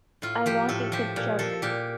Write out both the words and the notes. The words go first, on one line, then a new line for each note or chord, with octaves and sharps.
I want it to chug.
A2 F4
F3 G4
A2 A4
F3 G4
A#2
F3 A4
A#2 G4